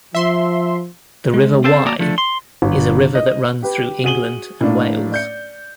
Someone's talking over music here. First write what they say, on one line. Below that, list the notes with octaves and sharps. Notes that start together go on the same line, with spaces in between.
The River Wye is a river that runs through England and Wales.
F3 E5 C6
G#3
C4 A4 C5 E5 F5 A5
A#3 F#4 D5 A5 A#5
F3 A3 D4 A4
C6
G1
D#5
G4 B4
F#4 G#4 D#7 F#7 G7
A2 A3 A#3 D4
D5 G6 C#7